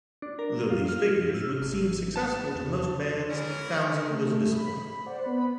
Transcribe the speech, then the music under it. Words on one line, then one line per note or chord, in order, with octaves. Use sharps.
Though these figures would seem successful to most bands, Townshend was disappointed.
D4
A#4
F4
F6
E6
G#1
A5
E2
E3 G#3 B3 C#4 G#4 A#4
A3
B5
C5 D5 F#5
B3 B5